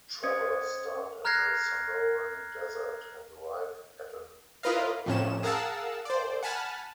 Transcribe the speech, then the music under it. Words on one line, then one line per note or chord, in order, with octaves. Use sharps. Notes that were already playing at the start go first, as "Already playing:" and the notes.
Travelers start in the Sonoran Desert and arrive at an alpine forest.
C#4 C5 D#5 D#6 G#6 C#7
A#5 F6 F#6 G#6 A#6 C7
E4 F4 A#4 B4 D#5 F5
F2 A2 C3 C#4 E7
G#4 A#4 F5 F#5 A5 E6
C5 D5
F#5 G#5 A5 B5 F6